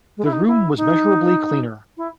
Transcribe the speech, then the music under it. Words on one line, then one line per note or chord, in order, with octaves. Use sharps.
The room was measurably cleaner.
G#3
E4
D#4
E4
D#4
E4